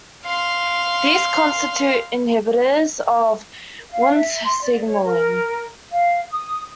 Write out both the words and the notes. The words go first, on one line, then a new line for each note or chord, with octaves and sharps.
These constitute inhibitors of Wnt signaling.
F5 C6
F5
E5
C6
D5
C#5
A#4
F5
D#6